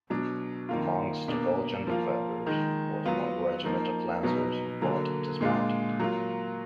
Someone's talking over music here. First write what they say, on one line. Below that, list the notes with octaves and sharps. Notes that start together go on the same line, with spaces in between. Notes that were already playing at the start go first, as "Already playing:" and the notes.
Amongst the Belgian defenders was one regiment of lancers who fought dismounted.
B2 F#3 D4
D#3 A#3 F4
B2 A#3 D4
F3 A#3 F4
D#3 G#3 D#4
F#3 B3 F4
F3 A#3 D#4
B2 F#3 B3 D#4
D3 F#3 A#3
A#2 G#3 D4 F4
F#3 A#3 F4